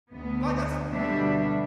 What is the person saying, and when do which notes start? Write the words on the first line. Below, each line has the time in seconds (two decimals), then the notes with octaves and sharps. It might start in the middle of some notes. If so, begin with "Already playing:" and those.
like I s
0.11 D2 B3
0.90 B2 D3 G3 D4 E5